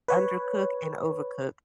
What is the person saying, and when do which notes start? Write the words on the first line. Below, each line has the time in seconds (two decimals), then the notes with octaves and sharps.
undercook and overcook
0.08 B4 C#5